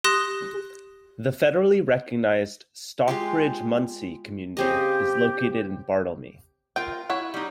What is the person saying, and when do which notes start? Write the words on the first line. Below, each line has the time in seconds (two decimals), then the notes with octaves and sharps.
The federally recognized Stockbridge-Munsee Community is located in Bartelme.
0.04 G4 C6 D#6 F#6 A#6 G7
3.08 G#3 F4 G4
4.57 C#3 C4 G4 D#5
6.76 F4 A#4 G5
7.10 E4 C#5 F#5
7.34 G3 D#4